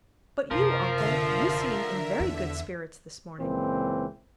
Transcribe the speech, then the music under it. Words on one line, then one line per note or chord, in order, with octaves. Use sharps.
"But you, uncle, you seem in very good spirits this morning."
F#1 C3 F3 A#4
D3 E5
E2
C#2 A#2 E3 C4